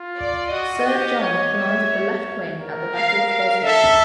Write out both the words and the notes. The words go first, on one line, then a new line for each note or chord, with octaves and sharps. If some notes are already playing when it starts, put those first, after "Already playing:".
Sir John commanded the left wing at the Battle of Bosworth.
Already playing: F4
D5
F#4 D#5
G4
C#5
E5
A#4
F5
F5
A4 E5